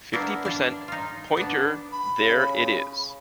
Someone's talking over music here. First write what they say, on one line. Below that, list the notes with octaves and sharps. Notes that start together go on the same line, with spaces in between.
Fifty percent pointer-there it is!
A#3 B3 D4 E4
D4 F5
D#4 F4
B3 D4
B5
C#3